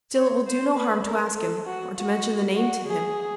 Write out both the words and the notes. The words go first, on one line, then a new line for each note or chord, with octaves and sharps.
Still, it will do no harm to ask him, or to mention the name to him.
C#5
C5
B4
A#4
A4
F#4
F#4
F#4
G#4